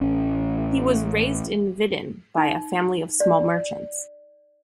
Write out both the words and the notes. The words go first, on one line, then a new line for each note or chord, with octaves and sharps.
He was raised in Vidin by a family of small merchants.
A1 C#4
D#4
D5